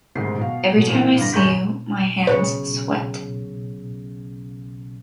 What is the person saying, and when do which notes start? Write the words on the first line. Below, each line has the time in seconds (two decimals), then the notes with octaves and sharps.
Every time I see you, my hands sweat.
0.15 D2 G#2 C3 D#3 C7
0.37 B2 F#4 F5
0.75 B2 F#3
0.87 A#2 E3 C4
1.17 G2 D3 B5 A#6
1.32 G#1 F#2 A#5 C#6 G6 B6
2.27 B1 C#3 B4 C#5